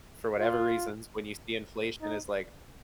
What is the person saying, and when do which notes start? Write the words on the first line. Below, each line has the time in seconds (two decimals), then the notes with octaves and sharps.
for whatever reasons, when you see inflation is like
0.39 F4
2.02 D#4